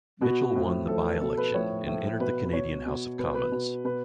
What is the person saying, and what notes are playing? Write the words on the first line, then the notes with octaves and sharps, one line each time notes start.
Mitchell won the by-election, and entered the Canadian House of Commons.
B2 F#4
A2 F3
A2 F3 A4
B2 A4
B4
A2 F3 C#5
A2 F3
B2 B4
B4
B2 C#5
B2
B2 B4
B4
B2
B2 B4